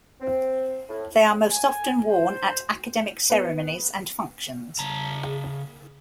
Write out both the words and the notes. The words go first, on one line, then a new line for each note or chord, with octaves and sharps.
They are most often worn at academic ceremonies and functions.
C4
A2
G#5
C5
B3
C#3 A5 A#5